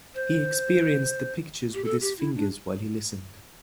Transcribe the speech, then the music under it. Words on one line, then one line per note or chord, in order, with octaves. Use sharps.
He experienced the pictures with his fingers while he listened.
C5
G4
A4
G4
E4
D4